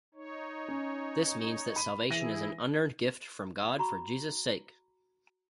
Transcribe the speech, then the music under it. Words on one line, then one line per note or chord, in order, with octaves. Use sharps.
This means that salvation is an unearned gift from God for Jesus' sake.
D#4 C#5
C#4
B5 D#7
E3 E4 G#4 A#6 D#7
F#4 A#5 B5 C#6